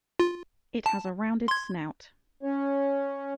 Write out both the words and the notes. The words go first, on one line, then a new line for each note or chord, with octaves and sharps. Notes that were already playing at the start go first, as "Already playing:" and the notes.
It has a rounded snout.
F4
A5
C6 G#6
C#4 C#5